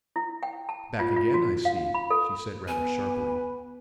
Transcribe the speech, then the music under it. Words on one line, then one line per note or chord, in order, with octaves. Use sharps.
"Back again, I see," she said rather sharply.
E4
G5
A5
F4
F4
F#4
F5
B5
A4
B3 B4 G#5